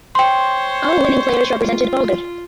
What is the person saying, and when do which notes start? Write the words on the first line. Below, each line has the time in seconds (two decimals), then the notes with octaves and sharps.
All winning players represented Augur.
0.15 C5 C#5 G5 C6
1.62 F4